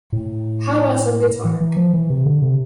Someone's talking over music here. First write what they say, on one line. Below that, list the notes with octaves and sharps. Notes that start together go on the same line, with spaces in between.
How about some guitar?
A2
E3
E3
F3
E3
C3
D3
C3